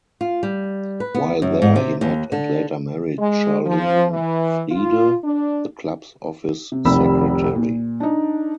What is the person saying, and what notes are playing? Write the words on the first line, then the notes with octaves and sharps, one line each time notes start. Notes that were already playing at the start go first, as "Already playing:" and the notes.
While there, he met and later married Charlene Friede, the club's office secretary.
F4
G3
B4
B3
F#2
G#2
C3
D#2
D3
G#3
F3
E3
F4
D4
C3
F1 C2 C3 D#3 B5 E6
A#2
D4 D#4